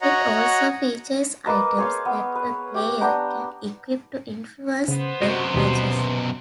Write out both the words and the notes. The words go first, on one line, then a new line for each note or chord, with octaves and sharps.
It also features items that a player can equip to influence the matches.
F#4 C#5 D#5 F#5 A#5
A#3 B4 D#5 A5
G#4 C5 C#5 F5
B3
B4
G4
B3 D4 G5 A#5
C#3 B3 C5
F#2 C3 F#4 D#5
D#2 B2 G3